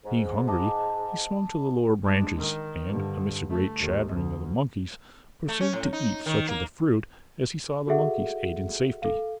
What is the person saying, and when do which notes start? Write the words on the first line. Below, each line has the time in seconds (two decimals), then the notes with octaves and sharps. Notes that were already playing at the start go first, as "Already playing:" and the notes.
Being hungry he swung to the lower branches and, amidst a great chattering of the monkeys, proceeded to eat such of the fruit as he saw the monkeys ate in safety.
0.05 G#2
0.48 D#5 A5 D6
2.03 G#3 D4
2.37 D#3
2.89 G2 D3
3.50 A3
3.80 D#2
4.11 D2
5.49 A3
5.61 C#4
5.73 A2
5.93 D#4
6.26 D#3
6.49 A#3
7.87 F#4 G#4 A4 E5 F#5
9.02 A4 F5